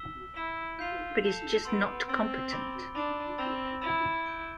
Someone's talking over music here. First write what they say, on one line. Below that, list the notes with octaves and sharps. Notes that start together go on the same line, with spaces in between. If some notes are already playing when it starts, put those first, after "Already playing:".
But he's just not competent.
Already playing: E6 B6 E7 G7
E4 E6 B6 E7 G7
F4 G6 C7 F7
A4 G6 C7 F7
B3 C6 E6 A6 D7
C4 C6 E6 A6 D7
B5 D6 A6 D7 G7
D4 B5 D6 A6 D7 G7
C4 B5 E6 A6 E7
E4 B5 E6 A6 E7
G6 D7 G7